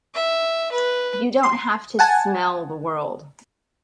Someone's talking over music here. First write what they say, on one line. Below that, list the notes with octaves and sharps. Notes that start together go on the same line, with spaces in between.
You don't have to smell the world!
E5
B4
C6
F#5 G#5 A5